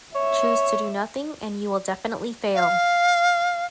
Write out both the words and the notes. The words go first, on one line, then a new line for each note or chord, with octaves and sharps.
Choose to do nothing and you will definitely fail.
C#5 E5
F5